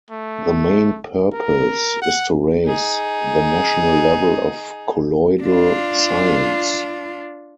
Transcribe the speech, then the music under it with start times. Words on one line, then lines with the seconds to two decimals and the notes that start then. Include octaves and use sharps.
The main purpose is to raise the national level of colloidal science.
0.10 A3
1.33 A#4
2.02 F#5
2.66 D#4 G#4
5.43 D4 F4